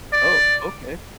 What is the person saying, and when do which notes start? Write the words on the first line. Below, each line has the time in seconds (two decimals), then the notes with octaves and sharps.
Oh, okay.
0.13 D5